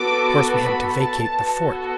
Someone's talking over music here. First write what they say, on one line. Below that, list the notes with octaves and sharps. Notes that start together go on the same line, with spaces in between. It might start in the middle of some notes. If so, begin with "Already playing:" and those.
Of course we had to vacate the fort.
Already playing: B3 F#4 A4 D6
B5
A5
B3 F#4 A4